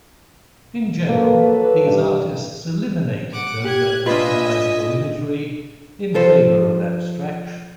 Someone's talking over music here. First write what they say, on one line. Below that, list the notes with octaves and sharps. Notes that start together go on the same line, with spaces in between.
In general these artists eliminated overt recognizable imagery in favor of abstraction.
F#3 A#3 A4 B4
G2
F#5 D6
G4 F#6 G#6
D4 F4 B4 D#5 E5 G#5
F3 A4 C5